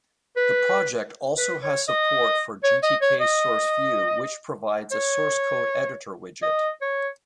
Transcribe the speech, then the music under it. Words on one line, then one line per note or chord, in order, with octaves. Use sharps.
The project also has support for GtkSourceView, which provides a source code editor widget.
B4
B4
C#5
D#5
C#5
D#5
C#5
D#5
C#5
D#5
C#5